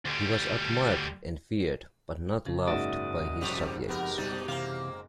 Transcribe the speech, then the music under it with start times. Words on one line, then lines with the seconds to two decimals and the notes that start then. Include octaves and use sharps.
He was admired and feared but not loved by his subjects.
0.05 D2 G3
2.46 C#3
2.67 F#1 G#2 F#4 D5 E5 D#6
3.41 F2 C3 G3
3.89 F2 B3 G4 A#4
4.18 B2 G3 D#4
4.48 C3 E3 A#3 C4 F5